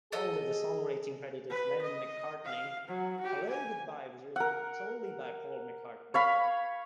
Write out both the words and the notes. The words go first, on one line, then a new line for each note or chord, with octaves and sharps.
Although the songwriting credit is Lennon-McCartney, "Hello, Goodbye" was written solely by Paul McCartney.
G#4 A4 D#5
B4
D#5
F5
F#3
F#4 G4
G#5
A#4 F#5
C#5 F5 B5